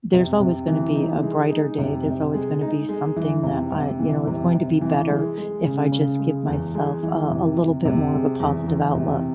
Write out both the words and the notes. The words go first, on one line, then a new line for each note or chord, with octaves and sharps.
there's always gonna be a brighter day, there's always gonna be something that I you know, it's going to be better if I just give myself, uh, a little bit more of a positive outlook.
C3
C3
E3
D#4
G#3
D#4
C3
C3
G#3
D#4
G#3
E3
C3
C3
E3
C3
C3
E3
G#3
G#3
C#3
C#3
G#3
E2
G#3
E3
C3
C3
C3
G#3
E2
E2
C3